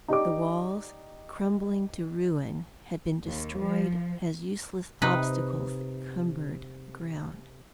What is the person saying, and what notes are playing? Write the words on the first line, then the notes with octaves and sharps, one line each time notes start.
The walls, crumbling to ruin, had been destroyed as useless obstacles that cumbered the ground.
D#4 G4 D5 D6
D#2
F3
C3 D#4 B4